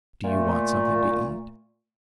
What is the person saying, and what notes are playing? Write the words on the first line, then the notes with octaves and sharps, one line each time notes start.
Do you want something to eat?
A#2 A3